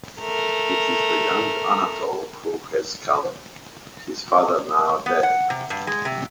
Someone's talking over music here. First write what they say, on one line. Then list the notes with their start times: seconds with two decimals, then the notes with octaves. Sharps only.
It is the young Anatol who has come, his father now dead.
0.21 A3 A#4
5.06 B3
5.23 F#5
5.50 C3
5.70 G2
5.87 G#3
6.05 C3